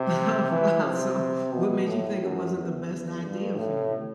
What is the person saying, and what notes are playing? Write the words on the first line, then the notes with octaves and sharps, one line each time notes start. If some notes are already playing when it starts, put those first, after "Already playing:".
Oh, wow, so, what made you think it wasn't the best idea for you?
Already playing: C3
E3
C3
B2
A2
F#2
E2
G2
A2